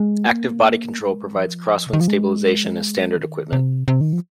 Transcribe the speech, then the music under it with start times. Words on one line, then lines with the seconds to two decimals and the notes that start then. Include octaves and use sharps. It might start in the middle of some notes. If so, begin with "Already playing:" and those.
Active Body Control provides crosswind stabilization as standard equipment.
Already playing: G#3
0.27 A#3
0.99 G#3
1.36 F3
1.87 C3
1.93 D#3
2.01 F3
2.08 G#3
3.16 D#3
3.53 C3
3.88 C3
4.01 D#3
4.13 F3